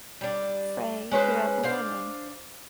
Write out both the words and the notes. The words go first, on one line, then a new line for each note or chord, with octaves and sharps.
Frey grew up Mormon.
G3 D4
G#3 C#4 B4 C5
D4 C5 F5